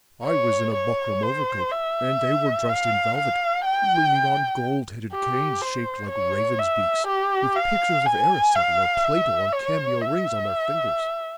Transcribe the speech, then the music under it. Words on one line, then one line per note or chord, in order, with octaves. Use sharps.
I was in a buckram overcoat, and they were dressed in velvet, leaning on gold-headed canes shaped like ravens' beaks, with pictures of Aristotle or Plato on cameo rings on their fingers.
C#5
C#5
C5
E5
F5
F5
G5
G4
C5
C#5
E5
G4
F5
G#5
F5
E5
C#5
E5